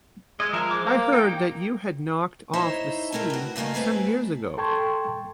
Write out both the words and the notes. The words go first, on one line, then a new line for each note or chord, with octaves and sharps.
I heard that you had knocked off the sea some years ago.
G#3 D#5
F3 A#4 E5
C5 D6
A#3
D#4 G5
D#4 E4 C5 C#5 D#5 E5
A3 C4 E4 A#4 G5
G2 F#4
G2 C#3 A3 A#3 D#4
F#3 A3 C4 G#4 B4
A4 G5 A5 C6 C#6 G#6